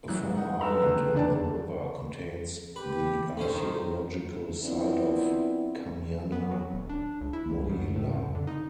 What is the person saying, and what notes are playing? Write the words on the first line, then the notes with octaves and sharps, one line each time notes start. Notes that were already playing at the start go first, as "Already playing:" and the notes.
A former island in the river contains the archaeological site of Kamyana Mohyla.
F#2 E3 F#3 E4 F#6
D#4 F#5
A4 B4 A#5
C#2 D3
G1 F2 D4 D5 A5
G4 B4
D3 D#3 C#4 C5
F3 B3 C4 D4 E4
B3
F#3
D#1
D4
C#2
E4
C#2
F#2
A2
F2
D3
D#4